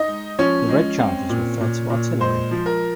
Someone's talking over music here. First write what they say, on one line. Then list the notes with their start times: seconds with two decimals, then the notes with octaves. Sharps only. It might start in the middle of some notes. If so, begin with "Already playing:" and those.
The red charges refer to Artillery.
Already playing: D#4 D#5
0.08 G#3
0.39 F3 C#4 C#5
0.69 G#3
0.99 C4
1.29 A#2
1.61 A#2
1.90 A#2
2.20 G#3 C5
2.51 F3
2.66 A#4